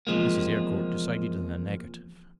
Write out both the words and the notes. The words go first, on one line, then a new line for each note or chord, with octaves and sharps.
Mrs. Eyrecourt decided in the negative.
E2 C3 F3 G#3 A#3